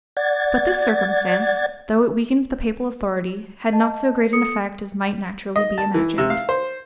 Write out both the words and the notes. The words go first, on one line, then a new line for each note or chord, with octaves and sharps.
But this circumstance, though it weakened the papal authority, had not so great an effect as might naturally be imagined.
D5 F#5 G#6 A6
D#5 A5
A4 D#6 C#7
D#5
A5
E3
C3
F5
C5